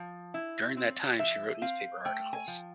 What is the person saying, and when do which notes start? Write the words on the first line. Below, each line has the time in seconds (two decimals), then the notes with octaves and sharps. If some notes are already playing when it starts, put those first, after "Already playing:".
During that time she wrote newspaper articles.
Already playing: F3
0.34 E4
0.77 C4
1.19 F3 E5
1.62 C4 F5
2.05 A3 G5
2.33 G#5
2.48 F3